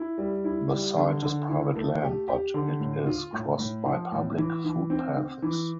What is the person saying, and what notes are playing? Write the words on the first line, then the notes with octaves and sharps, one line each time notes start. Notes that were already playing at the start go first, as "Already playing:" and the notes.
The site is private land but it is crossed by public footpaths.
Already playing: E4
G3
E4
G3
D3
D3
E4
A3
G4
G4
D3
A2
F4
A2
A2
F3
A2
E3
E3
C4
C4
E3